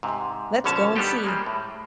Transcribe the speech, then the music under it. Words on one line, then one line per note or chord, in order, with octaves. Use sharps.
Let's go and see.
G#2 C3
A#1 B2 D3 C#4 C#5 A5
G3 B3 D4 D#4 G4 A4
G3 G#3 A#3
A2